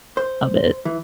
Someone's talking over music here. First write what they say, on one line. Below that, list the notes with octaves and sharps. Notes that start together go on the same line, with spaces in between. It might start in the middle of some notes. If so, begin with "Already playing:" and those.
of it.
C5
E3